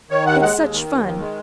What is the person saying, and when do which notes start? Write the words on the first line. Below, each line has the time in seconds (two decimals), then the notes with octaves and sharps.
It's such fun!
0.11 D#3 C#5
0.26 D#2 F#5
0.41 G#3 F#5
0.57 D#2
0.73 D#3
0.88 D#2
1.04 D#3
1.20 G#3